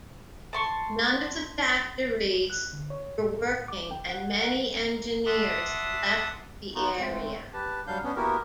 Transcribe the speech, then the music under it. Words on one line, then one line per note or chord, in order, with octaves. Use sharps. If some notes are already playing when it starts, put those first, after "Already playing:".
None of the factories were working and many engineers left the area.
A5 C6 C#6
F#6
D3
C#5
A2
D6
G5
F#5
F#5
E5 F#5 A5 C6 D6 D#6
B3 D#4 F4 F#4
G#3 A3 C4
G4 B4 A5
F#3 G3 D4 F5 G6
B3 C#4 D4
A#3 B3 E4 F#4 G4 A#4